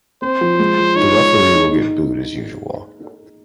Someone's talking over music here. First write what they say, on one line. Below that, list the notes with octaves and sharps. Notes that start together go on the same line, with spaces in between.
The referee will get booed as usual.
C4 C5
F3
G#3
F3
D#4 C#5
G#3
G#4
D#4
D#4